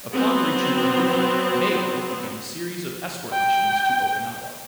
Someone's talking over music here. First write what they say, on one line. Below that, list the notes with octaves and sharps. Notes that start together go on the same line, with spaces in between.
Upon reaching Ulithi, "Mayo" began a series of escort missions to Okinawa.
F#3 B3 C4
G5